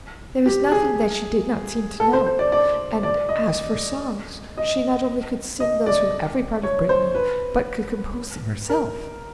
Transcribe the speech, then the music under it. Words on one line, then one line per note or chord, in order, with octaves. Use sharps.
There was nothing that she did not seem to know, and as for songs she not only could sing those from every part of Brittany, but could compose them herself.
G4
G#4
A4
C5
C5
D5
D5
D5
D#5
D#5
D#5
D5
C#5
C5
B4
A#4